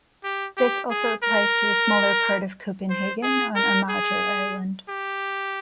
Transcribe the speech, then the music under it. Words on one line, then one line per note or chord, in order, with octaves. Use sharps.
This also applies to a smaller part of Copenhagen on Amager island.
G4
G4
G#4
A#4
C5
G#4
A#4
G#4
G4